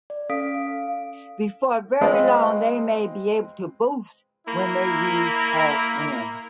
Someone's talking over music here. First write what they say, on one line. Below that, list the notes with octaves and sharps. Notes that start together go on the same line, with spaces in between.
Before very long they may be able to boast that they read her when.
D5
C#4 A4 F5 D#6 B6 D7
F5
G#3 C4 F4 B4 D#5 F5
A#3 E4